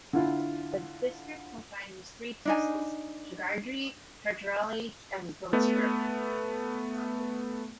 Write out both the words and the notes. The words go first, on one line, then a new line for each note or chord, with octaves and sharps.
The district comprises three tehsils: Jagadhri, Chhachhrauli and Bilaspur.
D3 E4 F4
D4 D#4 G#5
A3 B3